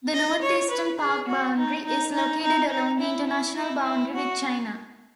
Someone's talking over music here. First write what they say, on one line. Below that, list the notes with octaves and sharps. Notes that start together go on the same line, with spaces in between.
The northeastern park boundary is located along the international boundary with China.
D#5
C#5
B4
G#4
F#4
D#4
D#4
D#4
D#4
D#4
E4
E4
E4
E4
F#4